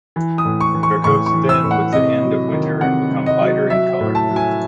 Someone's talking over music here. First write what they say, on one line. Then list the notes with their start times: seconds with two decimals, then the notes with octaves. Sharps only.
Their coats thin with the end of winter and becomes lighter in color.
0.16 E3
0.38 D#6
0.45 A2
0.60 C#6
0.75 E3
0.83 C#6
1.04 A2 C#6
1.26 C#6
1.34 E3
1.49 E6
1.64 A2
1.71 F#5
1.93 C3 D#5
2.23 F#3
2.52 D#3
2.81 C3 F#5
3.11 C3
3.26 D#5
3.41 F#3
3.70 F#3 E5
4.00 A2
4.15 A5
4.29 F#3
4.36 G#5